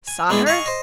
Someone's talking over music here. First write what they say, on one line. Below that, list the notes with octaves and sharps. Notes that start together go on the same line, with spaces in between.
"Saw her?"
G#5
G#3 B3 D4 E4 G#4
D#5 F5 F#5 G#5 A#5 C#6
C5 D#5